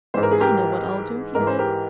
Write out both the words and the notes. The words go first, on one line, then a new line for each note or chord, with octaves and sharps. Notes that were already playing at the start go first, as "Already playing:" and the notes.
"I know what I'll do," he said.
G#2 E3 C5
A#4
G#4
G4 A#4
G#2 E3 A#4
C5
G4 A#4